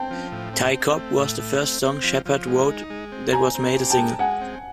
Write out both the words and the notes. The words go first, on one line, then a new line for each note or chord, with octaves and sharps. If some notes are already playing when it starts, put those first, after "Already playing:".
"Ty Cobb" was the first song Shepherd wrote that was made a single.
Already playing: C4 G5 A5
F3
A2
C4
C4
A3
A2
A3
C4
C4
F3
F3
G#3
D#4
G#3
C4
C4 G#5 A#5
C4
G4
G5 A5
G#3
G#3 F#5 G#5
C4